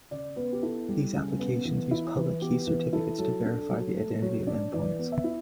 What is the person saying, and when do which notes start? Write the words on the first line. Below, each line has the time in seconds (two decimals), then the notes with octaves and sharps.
These applications use public key certificates to verify the identity of endpoints.
0.11 C#3 D5
0.36 B3 B4
0.53 G4
0.62 E4 A4
0.88 G3
1.14 C#3
1.39 B3
1.65 E3
1.91 E4
2.16 E3
2.41 B3 G4
2.67 E3
2.93 E4 A4
3.18 F#3 A4
3.45 D4
3.58 A4
3.71 F#3
3.96 A3
4.22 F#3 C#5
4.47 D4 D5
4.73 E3 D5
4.99 B3
5.12 E5
5.24 E4